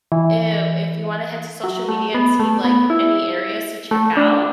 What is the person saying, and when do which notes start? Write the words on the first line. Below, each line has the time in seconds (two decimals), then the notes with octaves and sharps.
i if you wanna head to social media, and see, like, any areas to check out,
0.12 E3
1.64 F#3
1.89 A3
2.14 B3
2.39 A3
2.64 B3
2.90 E4
3.91 A3
4.17 D4